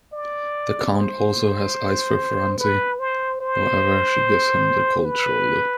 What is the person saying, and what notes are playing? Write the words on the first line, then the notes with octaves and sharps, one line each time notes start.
The Count also has eyes for Franzi, however, she gives him the cold shoulder.
D5
C5
B4
C5
C5
B4